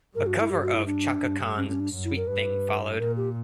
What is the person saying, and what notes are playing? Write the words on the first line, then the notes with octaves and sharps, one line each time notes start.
A cover of Chaka Khan's "Sweet Thing" followed.
G2 A#4
F#4
E4
G2 G4
F#4
E4
D4
G2
C#4
C#4
D4
F#2
E4
A#4
G2 B4
A#2 A#4
G4